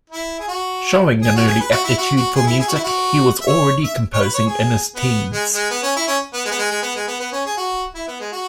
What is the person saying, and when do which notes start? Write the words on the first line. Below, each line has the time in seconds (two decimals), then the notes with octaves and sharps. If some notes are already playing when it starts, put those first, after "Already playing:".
Showing an early aptitude for music, he was already composing in his teens.
0.10 E4
0.40 G#4
0.48 F#4
1.22 G#4
1.35 F#4
1.47 G#4
1.60 B4
1.72 F#4
1.84 E4
1.98 F#4
2.16 F#4
2.35 G#4
2.47 E4
2.59 G#4
2.68 F#4
2.75 E4
2.84 F#4
3.41 E5
3.47 C#5
3.84 E5
4.13 C#5
4.22 B4
4.34 C#5
4.47 G#4
4.96 B3
5.33 G#3
5.54 G#3
5.71 B3
5.83 C#4
5.96 E4
6.08 C#4
6.33 B3
6.45 G#3
6.51 B3
6.58 G#3
6.71 G#3
6.82 B3
6.96 G#3
7.08 B3
7.20 B3
7.32 C#4
7.46 G#4
7.57 F#4
7.95 E4
8.07 B3
8.20 G#3
8.32 F#4